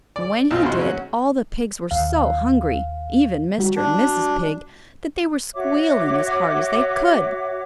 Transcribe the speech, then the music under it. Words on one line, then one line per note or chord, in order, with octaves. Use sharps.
And when he did, all the pigs were so hungry, even Mr. and Mrs. Pig, that they were squealing as hard as they could.
D5
B1 F3 C4 F4
D#2 B2 E4 F#4 C6
F#3 C#4 F#4
D#2 F5
G3 F#4
D4
F#4 C#5 E5 D6